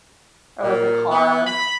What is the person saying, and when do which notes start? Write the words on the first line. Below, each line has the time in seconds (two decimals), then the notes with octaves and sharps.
or, like, a car.
0.63 A#2
1.11 B3
1.46 B5